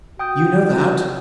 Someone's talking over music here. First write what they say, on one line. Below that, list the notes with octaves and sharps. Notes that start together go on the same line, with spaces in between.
"You know that?"
F#4 G5 D#6 G6